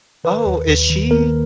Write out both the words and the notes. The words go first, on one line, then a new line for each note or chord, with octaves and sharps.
Oh, is she
D#3 B4
D#2
D#2
D#3
A#3 A#4